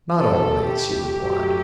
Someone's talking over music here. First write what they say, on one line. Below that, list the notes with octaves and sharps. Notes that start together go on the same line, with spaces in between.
"Not always," he replied.
B2 A3 A4
G4
F#2 F#3 A3